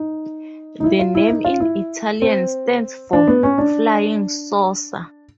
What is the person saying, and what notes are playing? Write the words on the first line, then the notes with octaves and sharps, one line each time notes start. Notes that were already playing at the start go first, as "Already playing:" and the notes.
The name in Italian stands for "Flying Saucer".
Already playing: D#4
D#4
E4
F4
E4
D#4
F4
E4
C4
D4
B3
C#4
D4